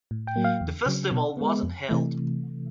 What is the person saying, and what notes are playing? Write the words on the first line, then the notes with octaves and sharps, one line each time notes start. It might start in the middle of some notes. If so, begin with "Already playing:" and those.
The festival wasn't held.
A2
G5
F#3 A#3
F5
E2
C#3 F#3
B2
G#3 B3
F2
C3 E3 A3